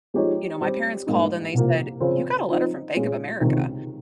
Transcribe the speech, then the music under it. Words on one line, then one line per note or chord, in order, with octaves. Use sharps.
you know, my parents called and they said, "You got a letter from Bank of America."
F3 G#3 D#4 G4 C#5
G3 C4 G4
G#2 G3 A#3 D#4
C2 C3 F3 A#3
C#3 F3 C4 F4
F3 C4 D#4
A#2 G#3 C#4 F4
C#2 C3 D#3